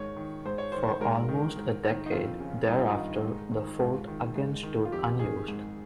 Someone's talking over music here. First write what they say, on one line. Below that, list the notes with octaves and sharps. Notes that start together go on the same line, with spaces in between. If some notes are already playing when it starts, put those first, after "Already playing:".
For almost a decade thereafter the fort again stood unused.
Already playing: G#2 D#3 C#5
D#3
G#2 C5
C#5
D#3 C5
C5
G#2 A#4
D#3
G#2
D#3
D#4
F2 F4
C#3
G2 D#4
F4
D#4
D#3
G#2
D#3
G#2 F4
D#3
G#2
D#3
F4
F2 G4
D#3 G#4
G#2